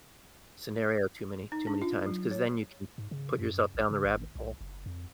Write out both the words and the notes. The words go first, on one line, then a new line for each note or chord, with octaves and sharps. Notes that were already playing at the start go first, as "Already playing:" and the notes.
scenario too many too many times 'cause then you can put yourself down the rabbit hole.
D#4
D4
F4
F#3
C#5
G#2
C#3
F#2
A1
C#3
G#1
B1
F#1
F2